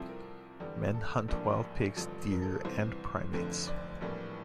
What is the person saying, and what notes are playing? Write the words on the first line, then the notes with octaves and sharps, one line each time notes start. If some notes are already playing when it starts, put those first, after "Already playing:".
Men hunt wild pigs, deer and primates.
Already playing: C2 C3 F3 C4 E4 A4
A#4
E2 D3 G3
A4
A#1 A2 G3 A#3 D4
A1 G2 D3 F3
A#4
A4
A4
C2 C3 E3 C5
F1 F2 D3 A3
D5
A#1 A2 E3 G3 A#3